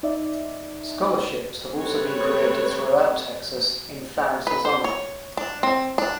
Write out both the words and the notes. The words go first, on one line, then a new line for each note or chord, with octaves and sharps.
Scholarships have also been created throughout Texas in Farris’ honor.
D#4 D5 E5
G3 A3 C4 B4 C#5
B4
C5
C#5
D4
C4
D4